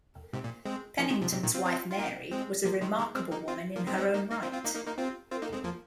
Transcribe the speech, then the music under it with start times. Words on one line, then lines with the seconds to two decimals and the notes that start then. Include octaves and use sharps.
Penington's wife, Mary, was a remarkable woman in her own right.
0.33 G#2 C3
0.44 A#2
0.65 G#3 C4
0.99 F3 A#3
1.10 D#3 G#3
1.22 C3 F3
1.32 G#2 C3
1.44 A#2 D#3
1.54 C4 F4
1.66 C4 F4
1.90 F4
1.98 A#3 D#4
2.32 G#3 C4
2.65 F3 A#3
2.81 D#3 G#3
2.98 D#3 G#3
3.15 G#3 C4
3.31 A#3 D#4
3.48 C4 F4
3.76 F3 A#3
3.87 G#3 C4
3.93 D#4
3.98 G#3 C4
4.14 A#3 D#4
4.31 A#3 D#4
4.42 C4 F4
4.53 C4 F4
4.65 A#3 D#4
4.75 A#3 D#4
4.87 A#3 D#4
4.98 C4 F4
5.31 C4 F4
5.42 A#3 D#4
5.53 G#3 C4
5.64 F3 A#3